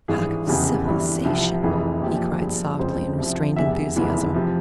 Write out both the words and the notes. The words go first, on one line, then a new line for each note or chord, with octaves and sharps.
"Talk of civilization," he cried softly in restrained enthusiasm.
G#1 G2 E3 G#4
F1 E2 C#3 E3 G4
G1 G2 E3
C2 C3 F3
F1 F2 E3 G#4
A#1 A#2 F3 G4
G1 G2 F3 G#4
F1 F2 C#3 F3 C5
C2 C3 F3
F1 E2 C3 E5
F1 E2 E3
C3 F3